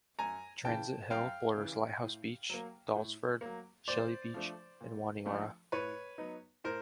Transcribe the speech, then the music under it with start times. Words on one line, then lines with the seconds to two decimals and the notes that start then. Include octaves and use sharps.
Transit Hill borders Lighthouse Beach, Dahlsford, Shelly Beach and Waniora.
0.19 F#2 G#5 A#5
0.65 C#3 E3 G5 A5
1.10 F#2 F5 G5
1.57 C#3 E3
2.03 A2
2.50 F#3 A#3
2.96 A2
3.41 F#3 A#3
3.88 A#2 C5 D5
4.34 F3 A3 D4
4.81 A#2
5.26 F3 A3 D4
5.72 A2 B4 C#5
6.18 F#3 B3 D#4
6.64 A2 A#4 C5